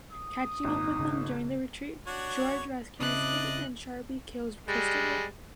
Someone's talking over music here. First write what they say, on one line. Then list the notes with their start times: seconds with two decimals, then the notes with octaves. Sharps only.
Catching up with them during the retreat, Jorge rescues Kate and Sharpe kills Christopher.
0.12 D#6
0.64 G#1 A#2 D#4 D6
0.99 C#3
2.07 D4 F#4 C#5
3.00 C#3 C4 D4 E4 D5 D#5 F#6
4.68 G3 G#3